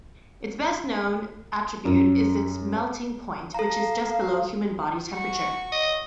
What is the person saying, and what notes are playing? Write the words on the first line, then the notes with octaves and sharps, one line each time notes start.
Its best-known attribute is its melting point, which is just below human body temperature.
F#2
A4 F5 A#5
F#4 C#6
D#5